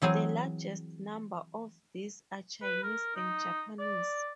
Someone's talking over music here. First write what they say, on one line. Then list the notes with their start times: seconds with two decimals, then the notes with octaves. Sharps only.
The largest number of these are Chinese and Japanese.
0.02 E3 F#3 C4 G#4
2.62 B4
2.83 A#4
3.15 D#4
3.79 D5